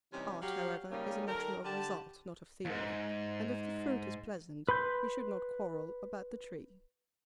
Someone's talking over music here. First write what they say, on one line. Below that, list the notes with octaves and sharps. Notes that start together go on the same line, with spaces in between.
Art, however, is a matter of result, not of theory, and if the fruit is pleasant, we should not quarrel about the tree.
C3 E3 G3 C#4 D#4 G4
F#3 G4 F5
C#3 G3 A#3 C#4 D#4
D#3 G3 A4 A#4
D3 G4 A5
D#2 G#2
B4 B5 C6 G6